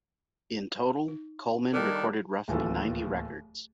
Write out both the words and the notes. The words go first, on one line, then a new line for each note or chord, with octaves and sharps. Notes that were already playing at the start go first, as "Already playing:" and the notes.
In total, Coleman recorded roughly ninety records.
D#4
D#3 G3 A#3 D4 G4 A4 D5
D1 D#2 E3 F4 A4